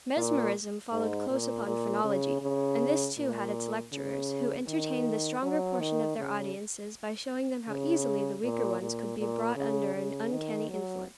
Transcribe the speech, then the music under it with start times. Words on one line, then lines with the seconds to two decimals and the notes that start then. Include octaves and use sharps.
Mesmerism followed close upon phrenology; and this too had its lecturers, who entertained the stronger portion of their audiences by showing them how easily the weaker ones could be brought under an uncanny influence.
0.16 A#2
0.92 G#2
1.30 A#2
1.67 A#2
2.04 C#3
2.42 C#3
3.18 A#2
3.92 C#3
4.68 D#3
5.43 F#3
5.80 D#3
6.18 C#3
7.68 C#3
8.43 A#2
8.81 A#2
9.18 A#2
9.56 C#3
9.95 C#3
10.31 D#3
10.69 F#3